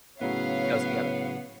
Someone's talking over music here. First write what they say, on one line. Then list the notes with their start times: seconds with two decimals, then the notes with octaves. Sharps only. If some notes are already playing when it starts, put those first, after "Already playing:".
goes together.
0.21 A2 C#3 F#3 B3 C#5 F5 F#5